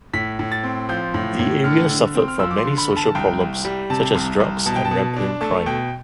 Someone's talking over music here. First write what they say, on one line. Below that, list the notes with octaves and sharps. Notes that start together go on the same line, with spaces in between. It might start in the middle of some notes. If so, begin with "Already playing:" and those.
The area suffered from many social problems such as drugs and rampant crime.
A2 B6
A2
A6
C4
F3 G6
A2
A2
D3 F6
D3
C4
F6
F3 E6
D6
C6
D3
B5
D3
A5
C2 G5
C2
G3
C3 A5
C2
C2
B2 A5
G5
A5
B2
D4
A3 A5
B2 G5